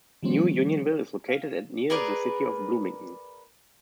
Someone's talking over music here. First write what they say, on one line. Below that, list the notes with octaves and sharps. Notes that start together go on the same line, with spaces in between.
New Unionville is located at near the city of Bloomington.
D#3 F3 G3 A#3 C4 C#4
F5
G#4 A#4 B4 D5